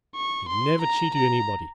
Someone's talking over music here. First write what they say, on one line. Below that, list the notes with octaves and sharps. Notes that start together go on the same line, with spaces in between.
He never cheated anybody.
C#6
C6
A#5
A#5